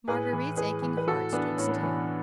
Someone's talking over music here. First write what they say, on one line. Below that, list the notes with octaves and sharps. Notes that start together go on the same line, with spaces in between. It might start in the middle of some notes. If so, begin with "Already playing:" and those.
Marguerite's aching heart stood still.
A2 G#4 B4
E3
A2 G#4 B4
E3
B4
A2 F#4 A4
E3 B3 D4
A2 C#4
B3
C#4
E3